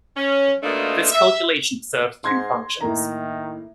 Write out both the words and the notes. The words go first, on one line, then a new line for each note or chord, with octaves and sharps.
This calculation serves two functions.
C#4
B2 A3 A#3 D4 D#4 F4
E5
G#2 C6 G#6 A#6
A2 D#3 A#3 A#5